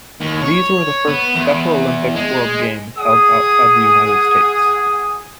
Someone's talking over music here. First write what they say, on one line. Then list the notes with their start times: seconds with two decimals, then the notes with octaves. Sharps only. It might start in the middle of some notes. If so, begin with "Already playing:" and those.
These were the first Special Olympics World Games held outside the United States.
0.21 D#2
0.42 C#5
1.08 B3
1.36 E2
2.15 G#3
2.98 G#4 F#5 G#5 D#6